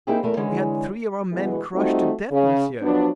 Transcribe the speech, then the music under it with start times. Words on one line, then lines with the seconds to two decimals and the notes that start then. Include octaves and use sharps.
"We had three of our men crushed to death, monsieur!"
0.07 A#3 C4 D#4 E4 G4 G#4
0.23 E2 A3 A#4
0.37 D3 E3 G#3 C#4 G#4
1.32 D2 B2 E3 G#3 B3
1.73 G3 A3 C4 D#4 F4 F#4
2.31 C#3
2.82 F3 F#3 B3 D4